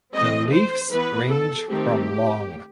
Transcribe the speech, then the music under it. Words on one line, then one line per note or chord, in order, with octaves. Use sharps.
The leaves range from long.
E3 A3 C4 D#5
C5
E3 B3 B4
A4
D#3 A3 C4 G4